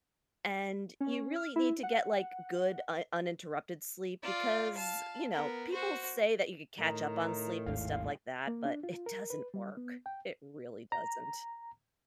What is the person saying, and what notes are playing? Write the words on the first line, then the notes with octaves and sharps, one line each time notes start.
and you really need to get, like, good un uninterrupted sleep because, you know, people say that you could catch up on sleep and stuff like that, but it doesn't work. It really doesn't.
C#4
F6
E4
F#5
F4 D5
F5 A5
B3 A#4
F#4 C5
A2 D#3 A#5
G#1 D#2 G#2 F5
A#3
D4
F4
A#4
B4
G3
B3
G5
A#5